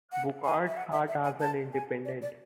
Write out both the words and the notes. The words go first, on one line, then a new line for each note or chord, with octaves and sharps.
Bouchard sat as an independent.
F#5
G#5
E5
F#5
E5
E5
G#5
A5
G#5
D5
D5